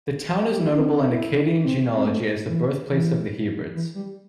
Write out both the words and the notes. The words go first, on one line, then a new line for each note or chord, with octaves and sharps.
The town is notable in Acadian genealogy as the birthplace of the Heberts.
G4
E4
D4
C4
D4
C4
E4
C4
C4
A3
E3
E3
E3
G3